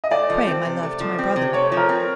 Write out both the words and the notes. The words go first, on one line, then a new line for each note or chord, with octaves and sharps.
Pray my love to my brother.
D#5
A3 D5
F3
C4
C3
A3
F3
C4
C3
A3 C#5
F3
A#4
C4